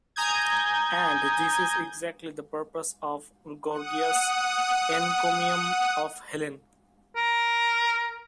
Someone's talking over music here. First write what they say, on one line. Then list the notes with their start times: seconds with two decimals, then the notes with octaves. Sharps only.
And this is exactly the purpose of Gorgias' "Encomium of Helen".
0.16 G#5 A#5 D#6 G6 G#6
3.70 F#5 D#6
7.16 A#4